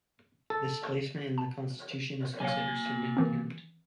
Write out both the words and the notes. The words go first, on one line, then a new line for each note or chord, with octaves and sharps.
This placement in the Constitution is considered significant.
A4
A5
F#3 A#3 C#5 F5 G#5
D#3 E3 C4